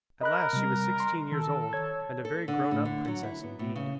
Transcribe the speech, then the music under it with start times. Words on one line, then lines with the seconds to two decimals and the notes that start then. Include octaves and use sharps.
At last she was sixteen years old and a very grown-up princess indeed.
0.21 A#4 D#5 B5 F#6
0.53 C3 G3
1.00 C6
1.32 D#3 A4
1.73 C#5 G#6
2.25 A4
2.48 D3
2.71 A2
2.85 D3
3.08 F#3
3.23 E4
3.43 B3
3.59 A2
3.76 C#3